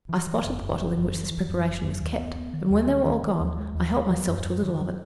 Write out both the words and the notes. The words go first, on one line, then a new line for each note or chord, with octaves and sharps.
I spotted the bottle in which this preparation was kept, and when they were all gone, I helped myself to a little of it.
E3
E3
F#1
F#1
F#1
F#1
E3
E3
F#2
F#1
F#2
D#2
B3
B3
D#3
D#2
D#3
D#3
D#3
D#2
G#3
D#2
G#3
F#3
F#2
F#2
D#3
F#3